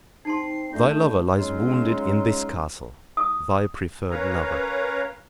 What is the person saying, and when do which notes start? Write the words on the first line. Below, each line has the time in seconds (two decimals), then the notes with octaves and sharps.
Thy lover lies wounded in this castle--thy preferred lover.
0.25 C4 D#4 A5 C6 C7
0.73 A3 D4 F4 G6
1.36 C#3 F#3 G#3 C#4 D#4 F4
3.17 D#6
4.10 C#4 A#4 B4 C#5 F5 A#5